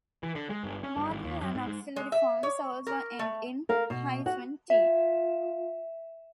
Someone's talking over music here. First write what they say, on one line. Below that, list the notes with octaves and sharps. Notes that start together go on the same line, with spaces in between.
Modal and auxiliary forms also end in "-t".
E3
D3
G#3
G1
C#4
G1
G#1
D#2
F#2
G#2
G#2
G#3
E5
C#5
A#4
A3
A#4 F5
B2
F#4 F#5
F4 E5